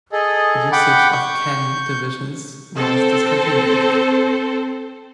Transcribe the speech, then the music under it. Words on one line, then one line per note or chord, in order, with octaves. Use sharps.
Usage of "Ken" divisions was discontinued.
G#4 A4 D#5
F#5 G5 B5 D6
C#6 G6
C4 A4 C5